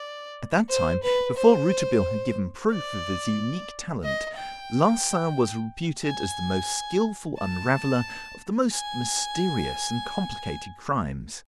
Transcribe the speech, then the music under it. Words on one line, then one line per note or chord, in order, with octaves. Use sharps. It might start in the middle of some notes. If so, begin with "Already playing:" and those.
At that time, before Rouletabille had given proof of his unique talent, Larsan was reputed as the most skilful unraveller of the most mysterious and complicated crimes.
Already playing: D5
C5
B4
C5
D5
D#5
G5
G#5
A5
G#5